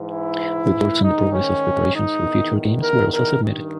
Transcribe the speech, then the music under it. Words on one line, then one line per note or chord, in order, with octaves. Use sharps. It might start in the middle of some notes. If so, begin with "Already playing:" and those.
Reports on the progress of preparations for future Games were also submitted.
Already playing: G#2 E3
E4
G#2 D#3 D#4
C#4
D#4
E2 D#3
A#4
A#4
G2 D#3